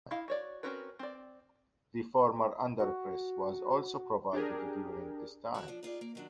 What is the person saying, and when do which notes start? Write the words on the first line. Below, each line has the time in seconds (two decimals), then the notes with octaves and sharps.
The former underpass was also provided during this time.
0.11 E4 D#5 F5
0.28 F#4 C#5 D5
0.63 C4 C#4 F#4 A#4 B4
0.99 C4 D5
2.80 F#4
4.33 D4 G4 G#4 A#4
5.54 F#4 G4 A4 C#5
5.68 F3 D4
5.83 D#4 F4 G#4 D5
6.01 A#3
6.15 D#3 F#3 D4